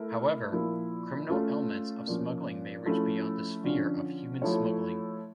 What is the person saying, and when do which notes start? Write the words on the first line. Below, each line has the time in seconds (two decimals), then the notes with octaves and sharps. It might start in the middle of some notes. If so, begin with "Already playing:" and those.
However, criminal elements of smuggling may reach beyond the sphere of human smuggling.
Already playing: A3 E4 A#4 E5
0.52 A#2 F3 A#3 E4
1.30 A3 C#4 F4
2.08 A#2 F3 C#4
2.85 F3 A3 C#4 E4
3.64 D3 F3 C#4
4.42 F3 A3 E4 A4 C#5